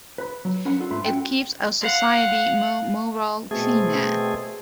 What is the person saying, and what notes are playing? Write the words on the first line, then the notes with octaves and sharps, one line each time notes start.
It keeps our society more moral, cleaner.
B4 B5
F#3
C#4 A#4 F#5 B5
D4 F4 A4
G#2 A3 B3 E5 B5 C6
C#4 F#4 A4 F#5 G5
F5 F#5
B2 A3 C4 G#4